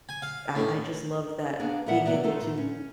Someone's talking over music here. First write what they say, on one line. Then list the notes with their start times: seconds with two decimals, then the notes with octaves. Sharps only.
I I just loved that being able to
0.09 G#5
0.22 F5
0.55 A2
1.60 A#3 B3 D4 G#4
1.86 A2 G3 A#4 E5 F#5
2.05 C3 F#3 B3 D#4 D5 E5
2.24 A3 D#4 F4 A4 C5
2.41 A2
2.57 C#4